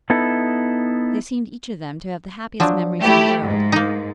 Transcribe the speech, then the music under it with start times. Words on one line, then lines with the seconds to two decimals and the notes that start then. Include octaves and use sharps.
They seemed each of them to have the happiest memories in the world.
0.10 B3 D#4 E4 A4
2.60 F3 F#3 D4
3.03 A3 E4 G4
3.43 G#2
3.72 A#3 D#4